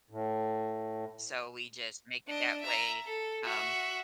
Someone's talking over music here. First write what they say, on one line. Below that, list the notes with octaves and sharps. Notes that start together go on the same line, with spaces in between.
so we just make it that way, um,
A2
D4 D#5
E5 A#5
A4
F#4 E5